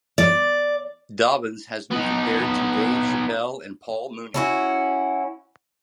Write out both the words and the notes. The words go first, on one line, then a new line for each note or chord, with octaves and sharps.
Dobbins has been compared to Dave Chappelle and Paul Mooney.
D5
B3 D#4
C#4 E4 F#4